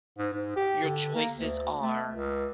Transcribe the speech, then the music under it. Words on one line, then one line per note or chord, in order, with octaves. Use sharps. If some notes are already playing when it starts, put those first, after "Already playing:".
your choices are
G#2
G#2
G4
D3
A#3
D2
A3
C#2